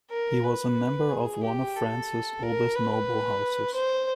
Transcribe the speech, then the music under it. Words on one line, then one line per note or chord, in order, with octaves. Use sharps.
He was a member of one of France's oldest noble houses.
A#4
B4
G#4
G4
A4
A#4
B4
C5